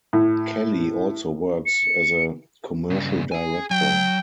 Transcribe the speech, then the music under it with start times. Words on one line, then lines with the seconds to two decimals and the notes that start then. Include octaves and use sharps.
Kelly also works as a commercial director.
0.13 A2
1.66 C#7
2.90 G2 C#3
3.32 G#4 G#5
3.71 F#3 G5